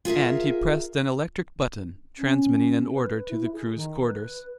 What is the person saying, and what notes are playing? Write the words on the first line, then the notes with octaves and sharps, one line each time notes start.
And he pressed an electric button, transmitting an order to the crew's quarters.
F4 G#4 A#4 E5
C#4
B4
E4
G#4
D#3
B4